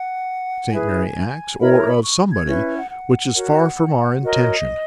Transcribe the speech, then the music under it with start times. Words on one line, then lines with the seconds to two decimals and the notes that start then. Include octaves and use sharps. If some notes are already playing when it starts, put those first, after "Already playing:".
Saint Mary Axe, or of somebody: which is far from our intention.
Already playing: F#5
0.71 E4 G#4 B4 G#5
1.59 E4 A#4 C#5 B5
1.72 G#5
1.80 A#5
1.88 B5
2.04 C#6
2.32 G#6
2.47 C#4 E4 B4
2.77 F#5
2.91 F#5
3.35 F#4 A#4 C#5
4.23 F#4 A#4 C#5 D#5